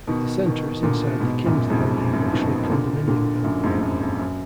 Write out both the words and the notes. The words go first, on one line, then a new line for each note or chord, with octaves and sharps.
The centre is inside the King's Landing luxury condominium building.
B2 D#3
B2 D#3
A#2 D3
G#2 B2
F#2 A#2
F2 G#2
F#2
F#2 A#2
F3
B2 D#3
A#2 D3
A#2 D3
F#2 A#2
F2 G#2
G#2
F#2
F2
F#2